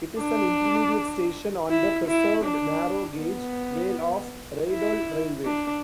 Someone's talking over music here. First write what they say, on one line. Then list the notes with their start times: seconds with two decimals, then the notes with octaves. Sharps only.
It is an intermediate station on the preserved narrow gauge Vale of Rheidol Railway.
0.19 D4
1.70 E4
2.08 E4
2.45 D4
3.20 B3
4.69 E4
5.44 D4